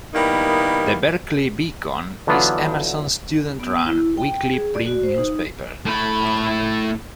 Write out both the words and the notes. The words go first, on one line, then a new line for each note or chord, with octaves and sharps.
"The Berkeley Beacon" is Emerson's student-run, weekly print newspaper.
D#3 G3 A#3 B3 D#4 E4
D3 E3 F#3 B3 F4
B3
E4
G5
G#4
D5
F#4
C5
D#4
A2 B5